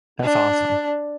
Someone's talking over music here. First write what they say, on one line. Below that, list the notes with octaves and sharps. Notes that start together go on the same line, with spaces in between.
That's awesome.
D4